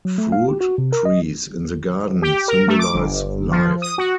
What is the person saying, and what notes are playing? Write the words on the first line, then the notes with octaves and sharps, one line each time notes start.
Fruit trees in the garden symbolize life.
F#3
A3
F5
G4
F#4
C3
A#4
D#5
G4
A#4
A3
D6
G1
F3
D#6
F#4